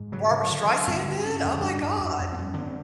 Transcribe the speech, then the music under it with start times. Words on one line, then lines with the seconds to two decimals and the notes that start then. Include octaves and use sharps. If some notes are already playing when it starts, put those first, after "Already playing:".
Barbara Streisand did? Oh, my God.
Already playing: G#2
0.12 C#3 F#3
0.31 C#3
0.50 D3
0.69 D3
0.87 G2 C4
1.07 D3
1.25 C#3 C#4
1.44 F2
1.62 G2 D4
1.82 G2
2.00 F2
2.19 F2
2.32 C4
2.38 G2 C#4
2.58 D3 B3
2.67 C4